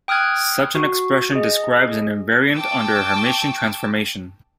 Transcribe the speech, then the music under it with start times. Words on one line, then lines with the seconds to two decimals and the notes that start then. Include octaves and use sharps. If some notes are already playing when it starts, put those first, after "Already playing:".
Such an expression describes an invariant under a Hermitian transformation.
0.08 G5 D#6 F6 F#6 G#6
0.75 F#4
1.32 G#4 D#5
2.53 G5 A5 C#6 D6 E6